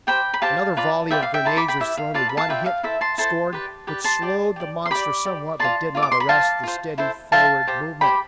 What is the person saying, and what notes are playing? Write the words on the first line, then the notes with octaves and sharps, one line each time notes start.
Another volley of grenades was thrown and one hit scored, which slowed the monster somewhat but did not arrest the steady forward movement.
G4 C5 G5 B5
B5
G4 C5 F5 A5
F4 B4 D5
F4 B4 D5 E5 G5
F5
E5 G5
E4 G4 B4 A5 C6
B5 D6
G5 B5
E4 G4 B4 E5
F5
F4 B4 D5 F5 A5
B5
F5 A5
F4 B4 D5 E5 G5
F5
E4 A4 C5 E5
A5 C6
E4 A4 C5 A5 C6
G4 B4 D5
G4 B4 D5
A5 C6
G4 D5
G4 D5
C6
G4 D5 B5 D6
G4 D5
F4 A4 D5 A5 C6
F4 A4 D5
D6
C6
B5
F4 C5 F5 A5
F4 C5
E4 A4 C5
E4 A4 C5 F5 A5
G4 C5
G4 C5 G5 B5